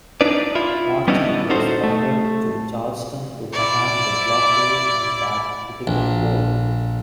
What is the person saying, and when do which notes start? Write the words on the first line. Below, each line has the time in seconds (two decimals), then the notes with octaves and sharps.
Marchand was ordered to Charleston to command the blockade at that critical port.
0.21 D4 D#4 B4 D5
0.55 E4 F4
1.08 G3 B3 C#4 D4 E4 D#5
1.50 C#4 D#4 F#4 A4 C5
1.84 A3
3.53 E4 D5
5.87 A#1